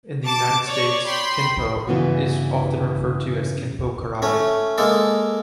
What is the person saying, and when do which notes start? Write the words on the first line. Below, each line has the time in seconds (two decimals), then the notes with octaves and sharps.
In the United States, kenpo is often referred to as "Kenpo Karate".
0.25 A5 D6
0.68 C#5 D5 C#6
1.06 G5 B5 C6
1.87 G2 C#3 E3 B3 F4 F#4
4.22 A3 C#4
4.78 G#3 A#3 A4